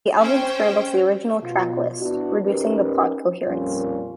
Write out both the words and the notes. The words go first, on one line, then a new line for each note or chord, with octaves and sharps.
The album scrambles the original track list, reducing the plot's coherence.
C#4 C5 G5
B2 F4
B3 D4 E4 F#4
C#4 D#4 G4 A#4 B4
F2 A#2 G3 C#4 F4 A#4